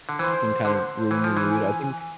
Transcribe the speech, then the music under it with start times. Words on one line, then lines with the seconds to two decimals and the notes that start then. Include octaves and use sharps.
can kind of ruin your mood, I think
0.09 D3
0.19 E3 C5
0.65 D3 C5
1.11 E3 G#5
1.24 F3
1.37 E3